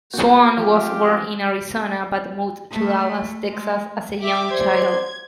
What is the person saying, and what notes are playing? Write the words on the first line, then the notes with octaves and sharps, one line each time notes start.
Swann was born in Arizona but moved to Dallas, Texas, as a young child.
A#3 F#4 G6
F3 A3 C4 F4 G4
A3
G#3
G4 E5 D6
C5 D5 G#6